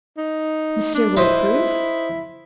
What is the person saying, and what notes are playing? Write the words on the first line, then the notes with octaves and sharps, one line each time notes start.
"Monsieur will approve?"
D#4
D4
E4 B4 C5 D#5